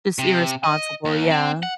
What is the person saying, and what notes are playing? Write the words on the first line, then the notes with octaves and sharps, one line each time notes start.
Just irresponsible, yeah.
C3
D#5
D#2
C4
F#5